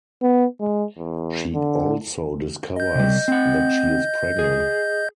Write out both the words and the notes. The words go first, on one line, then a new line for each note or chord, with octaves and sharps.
She also discovers that she is pregnant.
B3
G#3
E2
D3
D#5 G6
C3 G3
C4 F#5
G#4